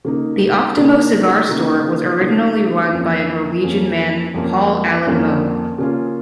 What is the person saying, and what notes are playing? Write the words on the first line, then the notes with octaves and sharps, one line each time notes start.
The Optimo Cigar store was originally run by a Norwegian man Paul Alan Moe.
C#3 A#3 D#4
C#3 A#3 D#4
C#3 A#3 D#4
C#3 A#3 D#4
F2 F3 A#3 C#4
F2 F3 A#3 C#4
F2 F3 A#3 C#4
F2 F3 A#3 C#4
C#3 A#3 C#4 F4